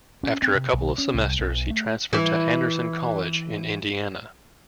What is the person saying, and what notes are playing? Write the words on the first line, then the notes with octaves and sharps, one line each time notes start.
After a couple of semesters he transferred to Anderson College in Indiana.
C#4
C4
C3
B1
C#4
C2
B1
A3
E3 E4